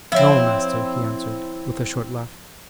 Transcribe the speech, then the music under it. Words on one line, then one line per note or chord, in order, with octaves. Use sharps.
'No, master,' he answered with a short laugh.
F3 C4 E4 C#5